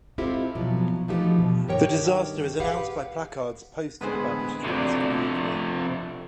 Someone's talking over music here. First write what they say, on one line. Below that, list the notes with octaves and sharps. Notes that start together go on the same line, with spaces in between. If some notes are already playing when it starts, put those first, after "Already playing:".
The disaster is announced by placards posted about the streets in the evening.
G#3 C4 E4 F4 G4 A4
B2 F3 F#3
E3 F3 A3 D#4 F#4 G4
B2
G2 D#3 G4 A#4 C#5 G5
G4 G#4 B4 F5 F#5
A2 D3 E3 G#3 B3 G#4 C5
G1 C3 F3 A3 C4 D4 E4 F#4